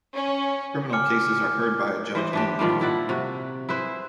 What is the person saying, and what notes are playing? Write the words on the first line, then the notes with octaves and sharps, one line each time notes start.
Criminal cases are heard by a judge only.
C#4
G#5 D6 F6 C#7
E3 C5 D#5
E3 D4 G4
A#2 D#3 F3 G3
E4 D5 F#5
C3 F#4
E4 G#4 B4 C5